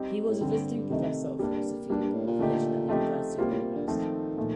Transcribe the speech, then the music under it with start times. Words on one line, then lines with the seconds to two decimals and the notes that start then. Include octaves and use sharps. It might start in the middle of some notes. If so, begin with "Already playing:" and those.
He was visiting professor of philosophy of religion at the University of Budapest.
Already playing: G3 C4 D#4 G4
0.29 A2
0.40 G2 D3 G3 C4
0.90 C3 D#3 A3 D#4
1.39 G2 G3 A#3 D4
1.90 G2 G3 A#3 D4
2.02 G2
2.13 A2
2.27 A#2
2.39 D3 A3 D#4 G4
2.88 F3 A3 C4 D#4 G4
3.38 C3 G3 A#3 F4
3.51 A2
3.63 C3
3.76 D3
3.87 D#3 F3 A3 C4
4.37 A#2 F3 A3